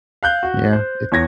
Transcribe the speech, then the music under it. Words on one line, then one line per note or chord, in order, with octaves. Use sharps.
Yeah, it
F5 F#6 G6
F#4
C5
E2 C#5 G#6 A#6